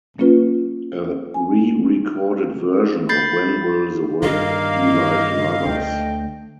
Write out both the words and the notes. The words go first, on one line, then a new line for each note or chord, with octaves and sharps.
A re-recorded version of When Will the World Be Like Lovers?
F#3 A#3 C#4 F4 B4
G#5
B5 G6 A6 C7
G2 D#3 A#3 D#5 F5
D2 G3 A3 G5